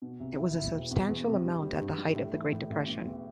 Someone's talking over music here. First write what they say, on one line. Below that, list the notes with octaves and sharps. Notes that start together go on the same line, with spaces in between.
It was a substantial amount at the height of the great depression.
B2
C2
E4
E4
E1
E2
E2
C3
G3
G3
G2
G3
A2
E3
A2
A1
B2
E2